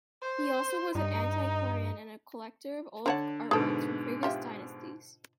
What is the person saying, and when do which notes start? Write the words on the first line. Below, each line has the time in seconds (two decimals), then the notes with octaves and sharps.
He also was an antiquarian and collector of old artworks from previous dynasties.
0.22 C5
0.95 G2 D#4
3.06 D3 C4 C#5 F#5 A5
3.51 G#2 B2 D3 G#4 A4
4.23 F4 G4 E5